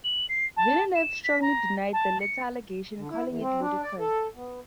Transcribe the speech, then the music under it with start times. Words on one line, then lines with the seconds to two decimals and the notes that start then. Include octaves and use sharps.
Villeneuve strongly denied the latter allegation, calling it ludicrous.
0.04 F#7
0.29 C7
0.57 A5
0.95 E7
1.24 B6
1.42 A#5
1.93 A5
2.20 C#7
2.98 D3
3.10 E4
3.25 E2
3.41 C4
3.61 D4
3.82 D5
4.00 A4
4.36 B3